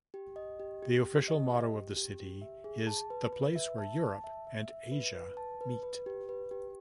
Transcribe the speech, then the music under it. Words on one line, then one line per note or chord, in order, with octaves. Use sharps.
The official motto of city is The place where Europe and Asia meet.
G4
D#5
G4
G4
G4
D#5
G4
G4
G4
G4
E5
G#4
A5
B4
B4
E5
A5
A5
E5
E5
E5
B4
B4
A5
B4
B4
G4
B4
G4